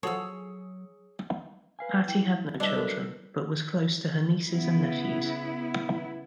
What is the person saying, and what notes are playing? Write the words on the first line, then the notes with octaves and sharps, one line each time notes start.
Patti had no children, but was close to her nieces and nephews.
F3 F#3 F#4 G#4 A4 C#5 E6
B4 F5 G#5
E4 G5
F#3 G3 D4 B4 D#5 E5 A5
A4 A#4
C#3 B3 E4